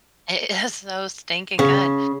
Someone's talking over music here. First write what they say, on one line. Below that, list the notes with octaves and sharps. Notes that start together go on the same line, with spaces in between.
It is so stinking good.
C#3